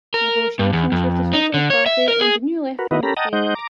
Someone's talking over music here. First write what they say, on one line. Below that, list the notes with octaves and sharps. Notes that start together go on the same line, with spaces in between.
Negotiations with the Socialist Party and the new Left Front failed.
A#4
G2
E2
F2
D#4
D3
C#5
E5
A#4
G#4
F#4 A#4 B4
D#3 B3 E4 F#4 B4 D#5
C#4 G4 A4 A#4 A#5 B5
D#5 F#5 G5 A5 A#5 D#6
G#3 D#4 C5 D#5 F#5 G6
A#5 D6